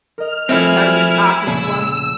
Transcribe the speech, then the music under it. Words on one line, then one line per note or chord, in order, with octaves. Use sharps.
Not even talking to him?
A#4 D#5 F6
F3 A3 C4 E4 E5 G#5 C7 C#7
F1 A#2 C#3 A5 E6